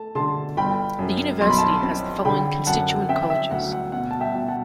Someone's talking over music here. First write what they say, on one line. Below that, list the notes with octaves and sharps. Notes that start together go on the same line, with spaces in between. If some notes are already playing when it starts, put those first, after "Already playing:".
The university has the following constituent colleges.
Already playing: A3 A5
D3 A5 C6
G1 G5 B5
F#2
B1 C6
B5
A5 C6
C4
D3 G5 B5
F#2 F#5 A5
C4 E5 G5
E5
D2 F#5
F#5
B2 F#5
A5
E5 G5
B2
F#5 A5